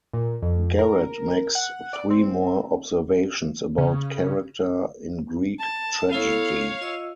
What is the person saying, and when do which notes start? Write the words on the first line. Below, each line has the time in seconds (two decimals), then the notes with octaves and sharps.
Garet makes three more observations about character in Greek tragedy.
0.13 A#2
0.42 F2
0.79 A#4
1.55 F#5
1.93 D5
2.10 C4
3.78 C#3
5.59 A5
6.11 B3 E4 A4 C#5 F5
6.81 F4 D#5 E6